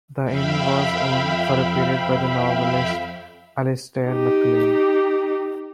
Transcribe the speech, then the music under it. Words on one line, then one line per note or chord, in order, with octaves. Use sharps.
The inn was owned for a period by the novelist Alistair MacLean.
F2 E5 F5 G5 B5
D#4 G4